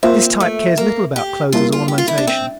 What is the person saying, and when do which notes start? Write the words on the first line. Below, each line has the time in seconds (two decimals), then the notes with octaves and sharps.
This type cares little about clothes as ornamentation.
0.03 A#3 C4 F4 C5 E5
0.40 A3
0.78 A#3
1.16 G4
1.52 G3 A#3 E4 F4
1.72 F4
1.88 G4
1.98 F4
2.08 E4
2.18 D4
2.27 C4